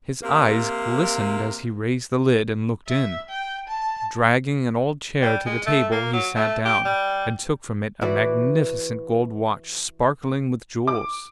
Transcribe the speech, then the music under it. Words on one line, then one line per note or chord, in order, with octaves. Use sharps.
His eyes glistened as he raised the lid, and looked in. Dragging an old chair to the table, he sat down; and took from it a magnificent gold watch, sparkling with jewels.
C3 A#3
E5
G5
A5
G3
G#3
A3
A#3
F#3
A3
G4
G3
E3 E4 F#4 D5
D6